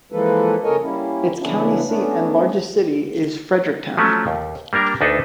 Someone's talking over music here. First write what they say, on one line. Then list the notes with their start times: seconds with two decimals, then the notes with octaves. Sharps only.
Its county seat and largest city is Fredericktown.
0.12 E3 F3 G#3 A#3 A4 B4
0.64 C#3 A4 A#4 C#5 D#5 G#5
0.82 G3 A#3 C#4 E4
1.39 C#3 E3 B3 C#4 D4 E4
1.86 A3 B3 C#4 D4
3.97 F3 F#3 A3 C#4
4.27 D#2
4.73 G3 A#3 D4 A#4
5.01 D2 D4 D#4 A4 B4